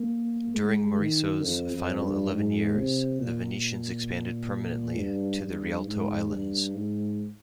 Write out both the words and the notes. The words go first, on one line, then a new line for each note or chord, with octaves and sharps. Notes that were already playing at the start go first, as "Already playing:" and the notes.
During Maurizio's final eleven years, the Venetians expanded permanently to the Rialto islands.
Already playing: A#3
G#3
D#3
F2
F2
G2
G#2
C3
A#2
G2
G2
G#2
G2
G#2